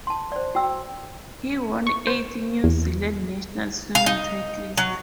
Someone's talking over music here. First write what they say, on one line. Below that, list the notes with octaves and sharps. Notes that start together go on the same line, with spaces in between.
He won eight New Zealand national swimming titles.
A5 C6
C5 D5
F#4 G5 E6
C#6
C5
E2
F5
D#4
F#3